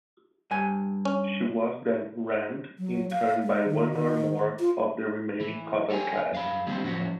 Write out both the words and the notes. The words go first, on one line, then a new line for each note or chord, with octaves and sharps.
She was then rammed in turn by one or more of the remaining cottonclads.
G2 G#5
C#4
F#3
F5
G#3
D#3
D#3
F4
E3
A4 C#5 E5 F5 G5 G#5
F#2 F5 B5
G3 G#3 C4 D4 G4
A2 F3 F#3 C#4 F#4